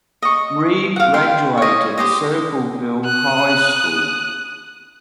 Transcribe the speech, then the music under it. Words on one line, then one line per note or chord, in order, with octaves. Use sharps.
Reid graduated Circleville High School.
D#5 C#6
F5 F#5
G5 C6
C#5 D#5
G4 C5 D#5
D#6 F#6